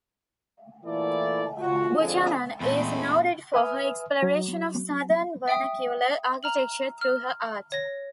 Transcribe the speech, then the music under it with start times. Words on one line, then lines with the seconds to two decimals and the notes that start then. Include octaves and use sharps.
Buchanan is noted for her exploration of Southern vernacular architecture through her art.
0.86 A#2 E3 A3 E4 A4 D5
1.60 F4 F#4
1.99 F2 D3 G#4
2.60 E2 A#2 G#3 A3 C4 A4 B5
3.54 B4 E5 G#5 D#6 F6
4.22 F#3
5.48 E5 G5 D#6
6.43 A#5 F6 F#7
7.01 F6
7.72 C#5 A#6